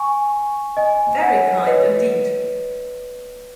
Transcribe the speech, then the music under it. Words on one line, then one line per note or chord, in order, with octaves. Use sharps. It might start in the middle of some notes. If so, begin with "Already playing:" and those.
Very kind indeed.
Already playing: G#5 C#6
D#5 G#5
C#5 F#5
C#5
B4 D#5